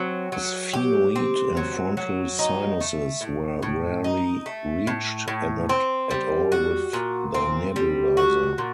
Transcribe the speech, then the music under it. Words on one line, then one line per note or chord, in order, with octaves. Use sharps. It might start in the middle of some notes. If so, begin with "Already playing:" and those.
Sphenoid and frontal sinuses were rarely reached, and not at all with the nebulizer.
Already playing: F#3 C4
F#3
G4
C4
F#3
F#3
D#4
A3
A2
A2
D#4
A3
A2
A2
C4
G3
F#4
A#2
C4
G3
F#4
A#2